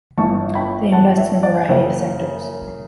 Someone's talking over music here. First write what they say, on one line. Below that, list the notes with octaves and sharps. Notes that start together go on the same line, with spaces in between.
They invest in a variety of sectors.
G1 G2 E3 A5 C#6
G5 B5
F#5 A5
C#5 E5
D5 F#5
F#5
F#1 F#2 C#3 E3 E5 G5